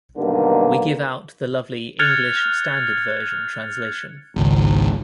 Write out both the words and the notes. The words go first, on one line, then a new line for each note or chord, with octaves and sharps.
We give out the lovely English Standard Version translation.
B1 G2 D3 D#3 A#3
F6 F#6 G#6 A6 C#7 F7
G#1 C#2